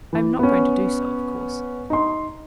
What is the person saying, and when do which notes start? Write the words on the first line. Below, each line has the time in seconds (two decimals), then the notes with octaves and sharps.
I am not going to do so, of course.
0.13 E3
0.39 B3 C#4
1.90 D#4 C6